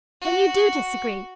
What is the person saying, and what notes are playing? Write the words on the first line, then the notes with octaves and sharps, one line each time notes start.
Then you do disagree.
F#4